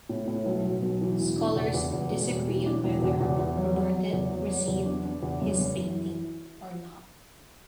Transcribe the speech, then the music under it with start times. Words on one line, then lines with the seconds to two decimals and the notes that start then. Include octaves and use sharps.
Scholars disagree on whether Robertet received his painting or not.
0.09 A2
0.28 A2
0.46 B1
0.65 B1
0.83 B1
1.01 E3
1.19 E1
1.38 D4
1.56 E2
1.74 E2
1.93 E2
2.11 E1
2.30 E1
2.48 E3
2.66 D4
2.84 E1
3.03 E2
3.21 E2
3.39 E2
3.57 F#3
3.76 F#3
3.95 F#3
4.13 E2
4.32 F#3
4.49 F#3
4.68 E2
4.86 D4
5.05 D4
5.23 E2
5.42 F#2
5.60 F#2
5.77 E3